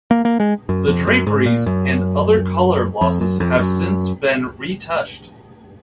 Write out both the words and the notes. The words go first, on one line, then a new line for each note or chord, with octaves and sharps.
The draperies and other color losses have since been retouched.
A#3
A#3
G#3
F#2
F2
F#2
G#2
A#2
F#2
F2
F#2
F2
F#2